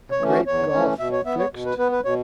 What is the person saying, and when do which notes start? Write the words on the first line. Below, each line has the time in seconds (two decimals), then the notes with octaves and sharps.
A great gulf fixed?
0.11 C#5
0.20 E3 A3 C#4
0.29 F#4
0.46 E2 C#5
0.73 E3 A3 C#4
0.99 B2 E5
1.12 C#5
1.25 B3 E5
1.39 C#5
1.52 B2
1.65 B4
1.78 B3 B4
1.92 B4
2.05 B2 C#5